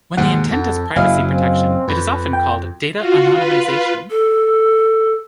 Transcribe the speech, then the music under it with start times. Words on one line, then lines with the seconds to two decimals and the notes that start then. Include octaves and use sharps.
When the intent is privacy protection, it is often called data anonymization.
0.17 D#2 G#2 B2 G#3 F#5
0.50 F2 A4
0.96 F#1 F#3 E4 D#5 F5 G#5
1.31 C4
1.88 F2 B4
2.33 G5
2.98 F4 F#4
3.30 F4 B4
4.10 A4